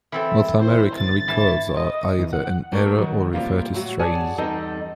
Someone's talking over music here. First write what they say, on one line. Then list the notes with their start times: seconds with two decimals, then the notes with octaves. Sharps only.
North American records are either in error or refer to strays.
0.12 E3 C4 A4
0.59 E4 C5
0.95 G1 A6
1.28 E3 A5
1.77 D#5
2.19 E2
2.33 F#5
2.72 G3 A3 G4 A#4 C#5
2.98 D#3 F#3
3.33 C3 G3 A#3 F4
3.74 A2 F#3 F#4
3.99 G#4 C#5 D5 F#5 G#5 A5
4.38 E2 G3 C4 D#4 A4 D#5